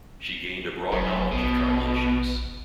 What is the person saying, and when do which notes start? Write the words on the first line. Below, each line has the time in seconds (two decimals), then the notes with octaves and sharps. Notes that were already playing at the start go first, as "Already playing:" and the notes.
She gained a broad knowledge of tribal issues.
0.92 E1 F#2
1.32 A#1 B2